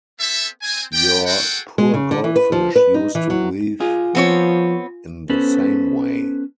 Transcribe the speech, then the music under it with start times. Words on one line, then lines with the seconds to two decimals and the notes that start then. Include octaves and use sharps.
Your poor goldfish used to breathe in the same way.
0.20 B3 C4 A4 E5
0.62 C4 G#5
0.93 B3 D5 G5
1.26 F#4 G#4 A4 F#5 G5
1.78 G#3
1.94 C#3
2.11 D3
2.24 E3
2.36 B4
2.52 F3
2.76 B4
2.94 D#4
3.15 E3
3.30 F#3
3.80 F4 G#4
4.15 F3 B3 C4 C#5
5.30 B3 C#4 A4 B4 C5